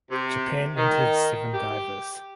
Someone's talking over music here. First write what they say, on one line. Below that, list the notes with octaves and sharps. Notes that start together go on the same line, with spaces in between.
Japan entered seven divers.
C3
D#3
G4